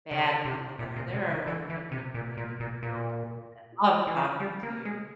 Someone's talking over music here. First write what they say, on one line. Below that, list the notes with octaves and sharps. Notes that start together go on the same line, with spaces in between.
bad people are, there are a lot of good friendly people in the world that love talking to you.
C#3
C3
A#2
A#2
C3
C#3
E3
E3
C3
A#2
A#2
A#2
A#2
E3
F3
G3
A#3
G#3